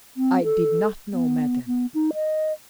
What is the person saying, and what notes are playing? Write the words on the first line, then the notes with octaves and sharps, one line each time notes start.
I did not know, madam.
C4
A4
B3
B3
D#4
D#5